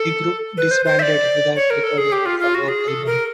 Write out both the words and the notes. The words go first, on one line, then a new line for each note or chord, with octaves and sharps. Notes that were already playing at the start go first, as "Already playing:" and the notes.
The group disbanded without recording a follow-up album.
Already playing: A4
B4
C5
C5
E5
D5
C#5
A#4
A4
G#4
G4
F4
F4
F#4
G#4
A4
A#4